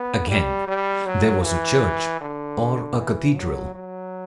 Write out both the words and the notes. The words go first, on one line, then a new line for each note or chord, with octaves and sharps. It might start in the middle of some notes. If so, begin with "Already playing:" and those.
Again there was a church or a cathedral.
Already playing: B3
G3
G3
F#3
E3
D3
E3
F#3
F#3